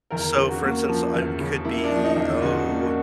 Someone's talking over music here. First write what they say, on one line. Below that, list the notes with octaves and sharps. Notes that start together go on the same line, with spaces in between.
so, for instance, I it could be, oh,
E2 A#4
C#3
F#4
A#3
F3
E2
C#3
A#3 E4
D4
F3
D#4
E2
C#3 F#4
A#3
F#4